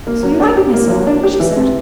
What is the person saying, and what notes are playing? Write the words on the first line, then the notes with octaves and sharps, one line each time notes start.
"So you liked my song?" she said.
A#3
F#3
D4
G4
A#3
F#3
D4
G4
E3
C3